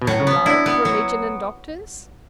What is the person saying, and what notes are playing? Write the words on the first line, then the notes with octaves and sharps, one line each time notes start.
'Love, religion and doctors!
B2
A2 F#3
C#3
B3
D4 E4
B3
F#3